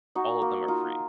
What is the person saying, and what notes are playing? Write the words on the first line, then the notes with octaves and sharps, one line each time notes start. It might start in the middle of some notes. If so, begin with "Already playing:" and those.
All of them are free.
D#4 F#4
A#3
D#4 F4